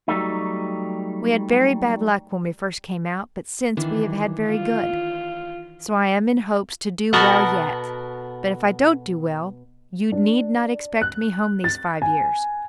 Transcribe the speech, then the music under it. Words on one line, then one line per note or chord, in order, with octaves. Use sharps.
We had very bad luck when we first came out, but since we have had very good; so I am in hopes to do well yet; but if I do n't do well, you need not expect me home these five years.
F#3 G3 A3 D#4
D#3 E3 D4
F4
B2 B3 F#4 A4 A#4 F#5
D4
F#6
A6
G#5